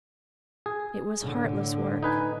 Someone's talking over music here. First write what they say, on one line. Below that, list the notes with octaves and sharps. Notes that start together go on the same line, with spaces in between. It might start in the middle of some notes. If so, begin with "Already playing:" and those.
It was heartless work.
G#4
A2 D3
D#4 B4 G#5